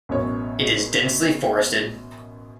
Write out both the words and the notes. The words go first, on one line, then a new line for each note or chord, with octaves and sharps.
It is densely forested.
A1 F#2 B2 C#5